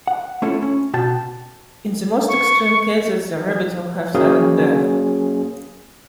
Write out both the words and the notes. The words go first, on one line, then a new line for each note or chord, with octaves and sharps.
In the most extreme cases the rabbit will have sudden death.
F#5
A3 C#4 E4 F4 A4 C#5
C#4
B2 F#4 G5 A5
C#6
F#3 A#3 C#4 G#4